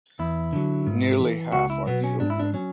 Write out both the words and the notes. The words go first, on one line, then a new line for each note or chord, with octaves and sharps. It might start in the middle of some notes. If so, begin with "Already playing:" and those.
Nearly half are children.
E2 E4
D3 F#3
G#2
E3
C#2 F#4
E4
B2 F#3 B3
C#4
G#2 D4
E4
D4
F#3 C#4